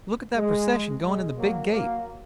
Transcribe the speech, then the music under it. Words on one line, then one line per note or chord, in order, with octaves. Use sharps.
Look at that procession going in the big gate!
G#3
B2 G#3
F#3 A#3
F#3 A#3